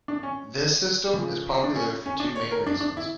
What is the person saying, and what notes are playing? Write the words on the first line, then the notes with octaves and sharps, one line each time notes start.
This system is popular for two main reasons.
D4
C#4
C#3 F3
D4
C#4
C#4
D4
C#5
A#4
D4
D4
E4